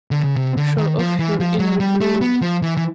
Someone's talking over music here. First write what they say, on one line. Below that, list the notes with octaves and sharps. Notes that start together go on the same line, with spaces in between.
Show off your inner groove.
D3
C#3
C3
D3
D#3
F3
E3
F3
F#3
G3
A3
B3
F3
E3
E3